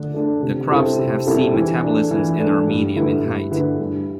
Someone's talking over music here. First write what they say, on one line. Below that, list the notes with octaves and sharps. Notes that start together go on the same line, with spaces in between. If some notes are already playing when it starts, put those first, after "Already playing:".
The crops have C metabolisms and are medium in height.
Already playing: D3 A3 D4
A3 D4
C3
G3 C4 E4 A4
C3
G3 C4 E4 A4
E3
A3 D4
E3
A3 D4
G2
D3 A3 E4 B4
G2
D3 A3 E4 B4
G2